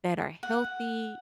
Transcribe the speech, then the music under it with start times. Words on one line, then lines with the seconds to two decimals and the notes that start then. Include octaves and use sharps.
that are healthy
0.43 F#5